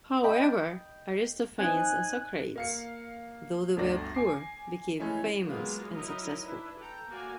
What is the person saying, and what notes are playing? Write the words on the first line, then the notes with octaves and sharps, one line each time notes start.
However Aristophanes and Socrates, though they were poor, became famous and successful.
D#5 G5 B5
C4 D#4 G#5 F#6
A#3 F5 C#7
G1 D2 D4 D5 A#6
G#5 D6 C7
E3 G#3 A3 C#4 E4
F#3 G#3 A#3 B3 F4
F#3 D#4 E4 A#4 D#5
D4 E4 B4
A4 G5 A#5
A#3 F#4 D5 G#5